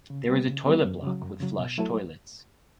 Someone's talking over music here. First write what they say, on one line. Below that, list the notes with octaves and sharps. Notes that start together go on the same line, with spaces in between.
There is a toilet block with flush toilets.
C#3
G3 B3
C#3
G3 B3
F#2
C#3 F#3
F#2
C#3 F#3
B2
F#3 A3 E4 A4